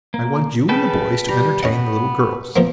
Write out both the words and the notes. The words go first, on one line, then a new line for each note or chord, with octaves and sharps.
I want you and the boys to entertain the little girls.
A#3
C#3 B4 G5 A5
G3 A#5
B3 C#4 D#5 F#5
B2 F3 A#3